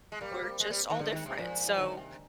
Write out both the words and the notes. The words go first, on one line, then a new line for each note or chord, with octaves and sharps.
we're just all different, so
G#3
G3 A#3
C4
A#3
G#3
G3
D#3
D3 G#3
D#3
C3
A#2 F3
F3
D3 D#3
C3